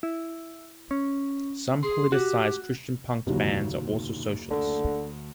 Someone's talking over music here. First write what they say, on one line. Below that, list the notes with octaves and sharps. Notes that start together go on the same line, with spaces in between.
Some politicized Christian punk bands are also socialists.
E4
C#4
G#4 C6
F#4 G4
F#1 D#2 B2 D3 D#3 F#4
D2 D3